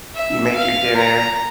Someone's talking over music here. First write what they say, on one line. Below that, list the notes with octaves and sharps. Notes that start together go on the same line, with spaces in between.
you make your dinner,
E5
F5
A#5